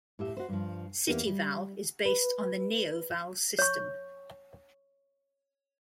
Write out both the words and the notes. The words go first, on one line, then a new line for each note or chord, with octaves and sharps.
CityVal is based on the NeoVal system.
A2 G4 E5
F#4 C5
G2 F3
E2 A#3 B3 G4 A#4
G3
B4
C#5 C#6